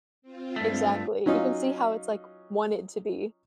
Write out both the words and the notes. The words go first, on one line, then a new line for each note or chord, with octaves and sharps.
Exactly, you can see how it's like wanted to be.
C4 F4
G2 A3
F#3 C#4 D#4 F4